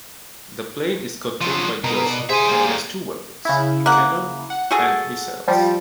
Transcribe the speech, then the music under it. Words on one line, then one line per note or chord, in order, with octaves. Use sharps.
The plane is controlled by joystick and has two weapons: a cannon and missiles.
F3 F#3
B2 A#4
D5
G#4 C5 E5 G#5
G3 A#3
C#3 E4
A#3 F#5
F#5
F#4 G#4 A4
F3 G3